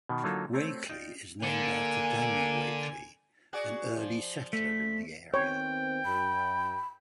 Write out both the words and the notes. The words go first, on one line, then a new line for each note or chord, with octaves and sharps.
Wakeley is named after Daniel Wakeley, an early settler in the area.
B2 D#3
D3 F#3 A#3 D#4 F4 A4
A3 C4 C#5
D#4 F4 D5 G5
D3 A#3 G#5
F#4 G#4 D5
F3
A3 B6
D#3 B3 C4 C#5 G5
F#2 B5